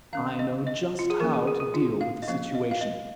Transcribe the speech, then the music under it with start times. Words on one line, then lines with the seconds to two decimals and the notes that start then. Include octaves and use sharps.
I know just how to deal with the situation.
0.13 D#3 C#4 F5
0.39 D#5
0.67 D#5
0.99 F4
1.10 G#4
1.20 F3 A#3 C#4 A#4
1.34 G#4
1.47 G#4
1.60 G#4
1.74 F4
2.01 F5
2.22 D#5
2.28 F3 A#3 C#4 F5
2.55 D#5
2.71 F5
2.81 D#5